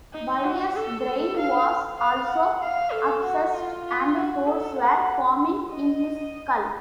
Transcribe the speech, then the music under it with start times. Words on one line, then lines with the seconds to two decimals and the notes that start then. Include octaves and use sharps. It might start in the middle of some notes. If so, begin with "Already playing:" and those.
Byers' brain was also abscessed, and holes were forming in his skull.
0.14 D#4
0.45 F#4
0.75 A4
1.37 F5
1.99 F5
2.30 F#5
2.61 F5
2.92 A4
3.24 F#4
3.54 F4
3.86 F4
4.16 F#4
4.47 A4
4.79 F#5
5.71 D#5